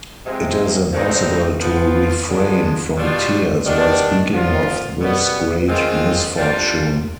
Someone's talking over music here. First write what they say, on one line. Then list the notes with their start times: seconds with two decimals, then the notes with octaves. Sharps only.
It is impossible to refrain from tears while speaking of this great misfortune.
0.25 C3 F3 G#3 C4
0.93 D3 F3 G#3 C4 D#4
1.61 F3 B3 F4
2.29 D3 G#3 B3 D4 F4
2.96 B2 G3 D4 F4
3.65 D#3 G3 B3 D4
4.32 D3 F3 B3 F4
5.01 B2 G3 B3
5.68 D#3 G#3 C4 F4
6.37 G3 D4 F4